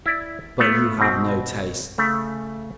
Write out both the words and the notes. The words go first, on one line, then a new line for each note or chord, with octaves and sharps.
But you have no taste!
E4 D5
A3 B3 F4
B2 C4
C#3 A3